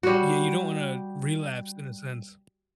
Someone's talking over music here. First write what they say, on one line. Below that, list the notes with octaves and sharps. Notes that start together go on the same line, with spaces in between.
Yeah, you don't wanna relapse, in a sense.
G3 F#4